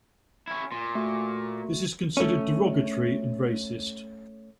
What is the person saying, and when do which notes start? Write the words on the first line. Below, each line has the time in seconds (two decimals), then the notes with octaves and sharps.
This is considered derogatory and racist.
0.48 C#4 E4
0.72 A#2 C6
0.95 A3 F#4
2.17 A3 C#4